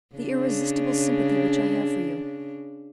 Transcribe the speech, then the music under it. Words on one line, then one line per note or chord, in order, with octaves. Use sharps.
"The irresistible sympathy which I have for you."
C#3 D4